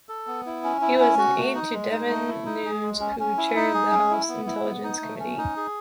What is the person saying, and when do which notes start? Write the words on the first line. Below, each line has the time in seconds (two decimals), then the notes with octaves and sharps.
He was an aide to Devin Nunes who chaired the House Intelligence Committee.
0.09 A4
0.27 B3
0.46 E4
0.64 C#4
0.81 E4
1.00 C#4
1.19 F#4
1.37 A3
1.55 D#4
1.73 G#3
1.92 D#4
2.09 A3
2.28 E4
2.46 D#4
2.65 G#4
2.83 G#3
3.00 C#4
3.20 C#4
3.38 E4
3.55 D#4
3.74 G#4
3.92 C#4
4.11 E4
4.29 B3
4.47 E4
4.65 B3
4.84 D#4
5.02 A3
5.20 C#4
5.38 D#4
5.57 G#4